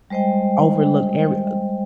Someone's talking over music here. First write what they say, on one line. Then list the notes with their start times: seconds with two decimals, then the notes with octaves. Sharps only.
overlooked every, uh
0.10 G3 G#3 C5 D#5 G5